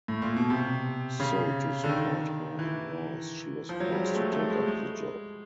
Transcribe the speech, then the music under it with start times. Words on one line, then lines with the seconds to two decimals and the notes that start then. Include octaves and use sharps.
So to support her in laws she was forced to take up the job.
0.08 A2
0.22 A#2
0.36 B2
0.50 C3
1.20 C#3
1.84 D3
1.89 D#3
2.59 E3
3.69 F3
3.80 F#3
3.92 G3
4.04 G#3
4.15 A3
4.32 A3
4.50 G#3
4.67 G#3